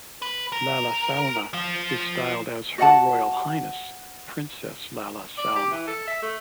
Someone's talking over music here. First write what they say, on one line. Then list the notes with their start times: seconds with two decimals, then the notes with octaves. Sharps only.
Lalla Salma is styled as Her Royal Highness Princess Lalla Salma.
0.22 B4
0.52 A#4
1.53 F3 F4
2.78 F#4 D#5 F#5 A5
5.38 D5
5.55 G4
5.71 E3
5.87 A4
6.07 E5
6.22 A3